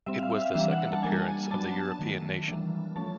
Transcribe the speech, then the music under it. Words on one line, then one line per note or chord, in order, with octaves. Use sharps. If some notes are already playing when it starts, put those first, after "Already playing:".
It was the second appearance of the European nation.
G3 C4 E5
F5
E5
F5
E3 G3 A#3 D4 E5
F#5
A5
G3 A#3 D4 G#5
F#3 B3 D4 A5
D#3 F#3 A3
E3 G3 A#3 D4
F3 A3 C#4 A5